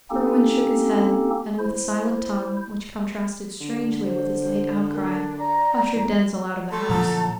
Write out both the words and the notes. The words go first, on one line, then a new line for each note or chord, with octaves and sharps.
Berwin shook his head, and with a silent tongue, which contrasted strangely with his late outcry, ushered Denzil out of the house.
A#3 C4 C#4 D#4 G4 A4
E4 C5
D3
C5
D4 A#4
D5 A#5
E2 A#5
A3 C6
F#2 A#2 D3 E3 F3 A5 A#5